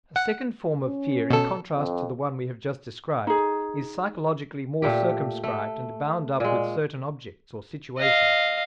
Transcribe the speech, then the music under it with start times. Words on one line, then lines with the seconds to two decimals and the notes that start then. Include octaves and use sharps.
A second form of fear in contrast to the one we have just described is psychologically more circumscribed and bound up with certain objects or situations.
0.16 F#5
0.87 C#4
1.30 B2 A4
1.75 F2
3.27 D#4 G#4
4.82 A#2 A3 G4
5.44 A3
6.40 A#2 G#3
7.98 D#5 F5